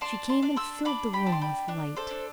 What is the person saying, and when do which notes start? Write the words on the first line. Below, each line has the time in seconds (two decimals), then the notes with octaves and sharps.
She came, and filled the room with light.
0.01 D4 A5 C6
0.29 A5 C6
0.42 D4
0.56 C6 E6
0.85 D4 B5 D6
1.13 G5 B5
1.26 D4
1.32 C6
1.41 G5 B5
1.68 D4
1.96 A4 C5
2.10 D4